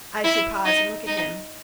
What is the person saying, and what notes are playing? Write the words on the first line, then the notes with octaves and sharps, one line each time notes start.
I should pause and look at him.
E4
D#4
D#4